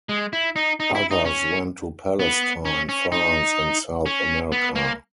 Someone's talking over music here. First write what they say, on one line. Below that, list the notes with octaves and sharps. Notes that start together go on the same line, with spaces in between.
Others went to Palestine, France and South America.
G#3
E4
D#4
D#4
E4
D#4
C#4
B3
C#4
C#4
D#4
C#4
B3
A#3